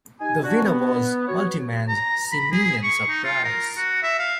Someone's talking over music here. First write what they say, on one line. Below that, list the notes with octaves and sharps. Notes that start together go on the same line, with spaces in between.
The winner was Multiman's Simian Surprise.
D#4 G4 G#5
D4 F#4
B3
B3 F#4 C#5
A#5
B5
G#4
C#6
D#4
F4
A#4
F#4
E5
F5